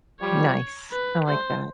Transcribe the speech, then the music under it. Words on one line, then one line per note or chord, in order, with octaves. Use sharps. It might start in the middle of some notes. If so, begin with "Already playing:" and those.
Nice, I like that.
F3 G3 C#5
B4
G3 A3 C5